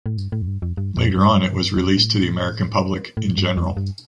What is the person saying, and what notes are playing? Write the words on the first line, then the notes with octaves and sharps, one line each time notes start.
Later on it was released to the American public in general.
A2
G2
A2
F2
G2
F2
G2
F2
G2
F2
G2
A2
A2
G2
F2
G2